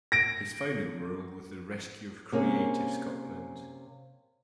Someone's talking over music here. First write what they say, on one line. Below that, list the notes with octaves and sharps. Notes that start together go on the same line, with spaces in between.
His final role was the rescue of Creative Scotland.
A#6 D7
C3 A#3 C#4 G#4